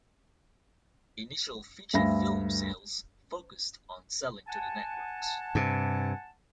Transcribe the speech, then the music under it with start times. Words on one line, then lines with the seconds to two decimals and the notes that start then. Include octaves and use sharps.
Initial feature film sales focused on selling to the networks.
1.93 D2 G2 E5 F5 B5 A#6
4.47 F#5 G#5 A5
5.55 G2 C3